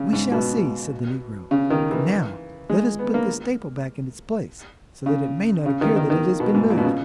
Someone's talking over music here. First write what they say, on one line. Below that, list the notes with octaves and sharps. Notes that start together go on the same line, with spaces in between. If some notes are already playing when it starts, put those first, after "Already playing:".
"We shall see," said the negro; "but now let us put this staple back in its place, so that it may not appear that it has been moved."
Already playing: C#3
G#2
B2
C#3
D#3
E3
G#3
B3
A#3
C#3
C#3
D#3
D#3
D#3
B2
G#2
A#2
B2
C#3